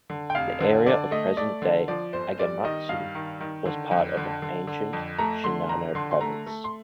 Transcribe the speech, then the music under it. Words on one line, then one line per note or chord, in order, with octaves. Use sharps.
The area of present-day Agematsu was part of ancient Shinano Province.
D3
G5
F1 F5
D3
D3 D5
A3 D#5
A3 D5
D3
F3 D5
G1 C5
G3 D5
D#3 D#5
G2 F5
D#3
D#3
D3
F2
D3
D3
D3
F2
A3 A#5
D3 C6
F2 A#5
D3 C6
C6
A3 A#5
A3
C6